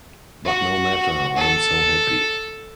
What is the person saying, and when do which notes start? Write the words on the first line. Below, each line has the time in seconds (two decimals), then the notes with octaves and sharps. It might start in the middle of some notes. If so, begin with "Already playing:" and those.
But no matter: I am so happy.
0.45 F#4
1.36 A4